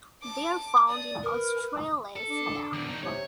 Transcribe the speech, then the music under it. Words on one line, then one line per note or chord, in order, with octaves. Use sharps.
They are found in Australasia.
A5 D6
D5 D#6
A#4 B4
A4
D4
D#2 B2
C2 D#4
C3 C#5